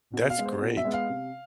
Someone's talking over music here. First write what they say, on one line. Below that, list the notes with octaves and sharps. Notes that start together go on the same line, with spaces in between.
That's great.
B2
F5
G#3 B3
C5
B2
E5
G#3 B3
F5
C3